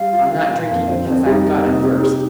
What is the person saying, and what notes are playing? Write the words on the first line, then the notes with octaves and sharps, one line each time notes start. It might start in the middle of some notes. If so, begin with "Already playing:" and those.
"I'm not drinking because I've got a thirst."
Already playing: G3 F5
F4
F4
A#2
F2 F5
F3 C5
F2 C4
G3 D#4
A#3
C3
G4
G4